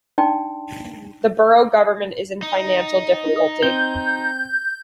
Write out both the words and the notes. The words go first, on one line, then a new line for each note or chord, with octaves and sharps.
The borough government is in financial difficulty.
D4 D#4 D5 G5 A5 C6
D#4
C4 G6